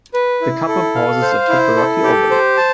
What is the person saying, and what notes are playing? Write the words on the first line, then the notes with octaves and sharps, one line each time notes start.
The couple pauses atop a rocky overlook.
B4
E4
A4
F5
C5
E4
A4
G4
C5
A5